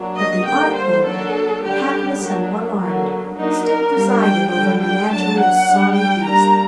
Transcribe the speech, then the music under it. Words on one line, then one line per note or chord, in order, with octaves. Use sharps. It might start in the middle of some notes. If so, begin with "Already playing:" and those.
But the ark-builder, hatless and one-armed, still presided over a menagerie of sorry beasts.
Already playing: F#3 A#3 D4
D#5
D3 G3 A#3 D4 G5
C5
F#3 A#3 D4 A4
D3 G3 D4 G4
F#3 A#3 D4
D3 F#3 A#3
F#3 A#3 D4 D#4
A#4
G3 A#3 D4
G5
D3 G3 D4 G5
G5
F#3 A#3 D4 A5
F#5
G3 D4
G5
G3 A#3 D4 A#5